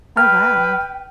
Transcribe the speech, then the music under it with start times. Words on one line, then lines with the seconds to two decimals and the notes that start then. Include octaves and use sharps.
Oh wow.
0.17 B4 G5 F6